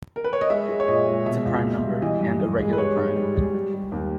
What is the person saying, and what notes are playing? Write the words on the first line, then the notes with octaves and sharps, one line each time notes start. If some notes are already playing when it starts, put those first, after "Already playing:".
It is a prime number, and a regular prime.
A#4
B4
C#5
D#5
G#3 E5
G#3
C#5
A#2 D#5
G#3
B2 E5
C#2
B2
G3
E3 D#5
G2
G2
G#3
B4
G3 C#5
G#2
G3
G3
G3
G3
D#2